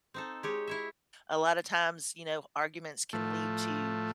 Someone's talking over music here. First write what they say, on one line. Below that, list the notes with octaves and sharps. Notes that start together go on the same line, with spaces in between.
A lotta times, you know, arguments can lead to
C4 D#4 A4
G#3 G4 C#5
E4 C#5 E5
A2 F3 A3